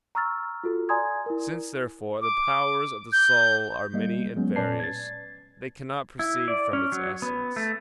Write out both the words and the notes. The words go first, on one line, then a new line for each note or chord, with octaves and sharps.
Since, therefore, the powers of the soul are many and various, they cannot proceed from its essence.
A#5 C#6 E6 F6 A6
F4 F#4 A4
D5 G#5 A#5 C6 D#6 G#6
E4 A#4
D6
G6
G3 A#3 D#5
F#3 G#3 B3 C#4
A#2 C#4 B4 D5 A5 C7
G#6 A6
E4
D5
C#4
F#3
B3
A3